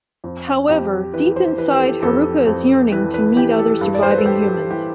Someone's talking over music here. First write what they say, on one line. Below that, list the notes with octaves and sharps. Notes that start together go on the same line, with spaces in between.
However, deep inside Haruka is yearning to meet other surviving humans.
F2
F2 G4
E3 B4
C5
E3 B4
G4
A4
F2 A4
F2
E3 B4
B4
E3 G4
A4
G2
D5
C5
B4
A4
G2 G4
E3 G4